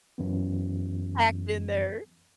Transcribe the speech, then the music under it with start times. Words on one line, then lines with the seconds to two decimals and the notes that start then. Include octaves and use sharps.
Packed in there.
0.18 F#2 E3 B3